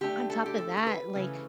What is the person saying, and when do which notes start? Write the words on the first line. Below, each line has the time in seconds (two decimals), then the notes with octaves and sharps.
On top of that, like,
0.01 D3 A3 D4 G4
0.30 A4
0.46 G4
0.58 A4
0.77 A4
0.87 B4
1.15 C#3 E3 A3 C#4